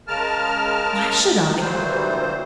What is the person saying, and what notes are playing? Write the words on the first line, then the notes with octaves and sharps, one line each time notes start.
"Why should I?"
C#3 G#3 A#4 A5 F6
D2 A#2 E3 F#3 G3 C5